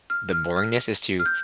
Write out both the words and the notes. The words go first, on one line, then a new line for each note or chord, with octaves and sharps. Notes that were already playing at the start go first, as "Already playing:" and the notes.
the boringness is to
F6
F6
F6
F6
G6